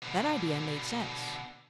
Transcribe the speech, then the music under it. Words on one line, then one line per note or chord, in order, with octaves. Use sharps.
That idea made sense.
B2 D3